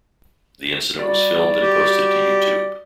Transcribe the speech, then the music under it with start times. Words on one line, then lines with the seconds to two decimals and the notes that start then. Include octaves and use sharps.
The incident was filmed and posted to YouTube.
0.99 G3 F#4 D5
1.61 G4